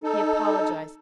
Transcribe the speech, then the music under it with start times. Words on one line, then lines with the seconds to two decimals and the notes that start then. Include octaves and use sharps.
He apologized.
0.03 D#4 A4